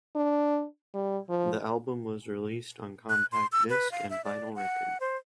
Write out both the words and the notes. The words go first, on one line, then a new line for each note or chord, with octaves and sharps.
The album was released on compact disc and vinyl record.
D4
G3
F3
F#6
C6
E6
B4
F5
E5
D5
F#5
C5